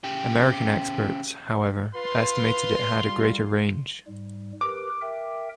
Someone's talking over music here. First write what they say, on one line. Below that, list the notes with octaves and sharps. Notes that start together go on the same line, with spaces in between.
American experts, however, estimated it had a greater range.
C#3 G4
F4 B4 C6
G3
G#2 G3
G4 A#4 B4 D6
A#4 E5 G5